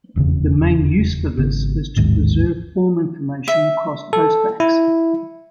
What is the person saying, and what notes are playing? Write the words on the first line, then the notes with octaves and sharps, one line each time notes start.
The main use for this is to preserve form information across postbacks.
F1 E2 C#3
G#1 C#3 B3
A1 D#2 G#2
E5
A4
E4